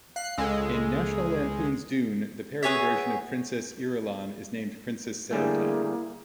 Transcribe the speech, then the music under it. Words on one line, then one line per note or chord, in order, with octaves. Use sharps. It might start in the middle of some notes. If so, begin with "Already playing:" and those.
In "National Lampoon's Doon", the parody version of Princess Irulan is named Princess Serutan.
F5 F#6 C7
C#2 G#3 A4 E6
B3 G#4 C#5 E5
D3 G3 A3 A#3 E4 G#4